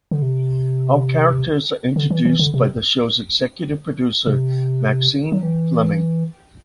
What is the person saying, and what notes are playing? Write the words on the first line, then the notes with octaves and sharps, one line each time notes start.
All characters are introduced by the shows executive producer Maxine Fleming.
D3
C3
D3
E3
E3
D3
C3
C3
F#3
E3